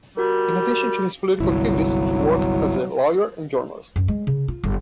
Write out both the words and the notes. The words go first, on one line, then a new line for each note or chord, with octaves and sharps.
In addition to his political activities, he worked as a lawyer and journalist.
G3 F#4 G4 A#4
G1 C2 F#3 E4
F#2
G#3
C#3
F4
G1